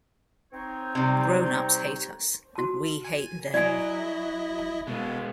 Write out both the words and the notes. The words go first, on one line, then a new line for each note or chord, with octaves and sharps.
Grown-ups hate us - and we hate "them"!
C4 D#4 C#5
C3 G3
F#4 A5
G#5
F#3 E4 D5 D#5 G#5
B2 G#3 B3